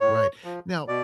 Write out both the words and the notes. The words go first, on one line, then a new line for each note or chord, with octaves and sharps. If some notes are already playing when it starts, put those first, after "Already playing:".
Right. Now
A2 C#5
F3
B2 D5